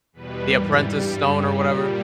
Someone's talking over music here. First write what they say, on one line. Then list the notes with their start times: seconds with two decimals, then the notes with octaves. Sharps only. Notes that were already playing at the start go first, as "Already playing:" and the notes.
The Apprentice Stone or whatever?
0.13 E2 B2 G3 B4
0.47 G#2 E3 G3 A#4
0.81 G2 G3 E4
1.16 G2 G3
1.50 A#2 G3 E4